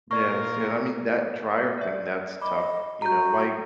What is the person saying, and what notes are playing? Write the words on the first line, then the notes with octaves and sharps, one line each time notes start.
Yes yeah, I mean, that dryer thing, that's tough, you know, why
A#2 F4 A#4 D5 C#6
D5 E5
D#5 B5 D6
F#4 A#5 G6